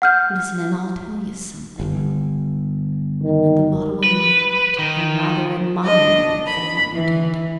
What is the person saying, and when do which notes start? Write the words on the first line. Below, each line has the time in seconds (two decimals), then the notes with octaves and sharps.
Listen and I'll tell you something--at the bottom of my heart I rather admire you for what you did.
0.02 F#5 F6 G6
1.80 G1
3.23 D#3
4.04 B4
4.79 D#3
5.84 D4 D#5
6.47 B5
6.95 E3